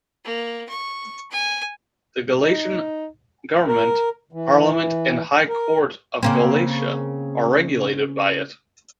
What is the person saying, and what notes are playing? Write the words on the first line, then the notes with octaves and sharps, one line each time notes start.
The Galician Government, Parliament and High Court of Galicia are regulated by it.
A#3
C#6
G#5
D#4
A#4
E3
A#4
C#3 A#3 C4